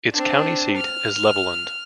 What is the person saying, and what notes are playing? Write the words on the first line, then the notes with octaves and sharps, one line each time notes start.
Its county seat is Levelland.
C4 D4
F6